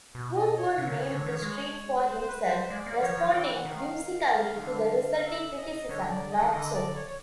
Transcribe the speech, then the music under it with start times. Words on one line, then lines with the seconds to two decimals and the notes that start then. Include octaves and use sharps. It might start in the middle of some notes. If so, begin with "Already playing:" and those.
Woodward named the street for himself, responding whimsically to the resulting criticism: Not so.
0.15 B2
0.36 D#5
0.57 C#5
0.78 C3
0.87 D3
0.94 C#3
1.11 D3
1.26 D#3
1.42 G#3
1.95 B4
2.06 C5
2.21 C5
2.28 B4
2.49 C5
2.70 G#3 D5
2.86 A#3
3.02 F3 C#5
3.18 F3
3.33 E3 G5
3.55 F#5
3.65 D#3
3.77 F5
4.56 D#3
4.61 D3
5.16 F5
5.25 E5
5.57 D#5
5.89 D3 C#5
6.10 D5
6.31 D#5
6.42 D#3
6.53 D3 D#5
6.74 D5
6.95 C#5
7.07 C#5